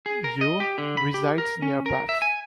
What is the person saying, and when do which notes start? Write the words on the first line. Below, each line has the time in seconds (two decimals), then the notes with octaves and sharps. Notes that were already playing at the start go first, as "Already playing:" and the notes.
Ure resides near Bath.
0.06 G#4
0.24 A#4
0.41 D#5
0.60 G4
0.78 D3
0.97 B5
1.14 G4
1.38 A#4
1.62 C#4
1.86 A#4
2.09 E5
2.22 G#5